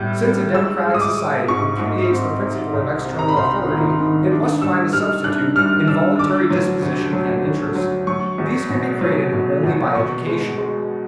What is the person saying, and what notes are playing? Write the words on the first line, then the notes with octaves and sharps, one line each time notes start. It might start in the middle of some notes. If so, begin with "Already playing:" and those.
Since a democratic society repudiates the principle of external authority, it must find a substitute in voluntary disposition and interest; these can be created only by education.
Already playing: A2 G3 B3
G3
G#3 E6
G#3
D#6
D6
G#3
G#2 C#6
G#2
C4
C3
C2
C3
A#5
B5
C2 C6
D#3
D#3
D4
G3 E6
G3 F6
D4 F#6
G3 F6
D4 E6
D3 D6
F#3
D2
F#3
D2
F#3
F#3 C#6
E2
B2
F#3
B2
E2
B2 C#6
G#3
G#3